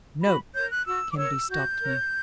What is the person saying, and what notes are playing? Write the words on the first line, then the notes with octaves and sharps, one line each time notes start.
"No!" Kennedy stopped me.
F#4 B5
A#4 C#5 G6
F#6
F#4 E6
D6
A#4 C#5 E6
F#4 G6
A#4 C#5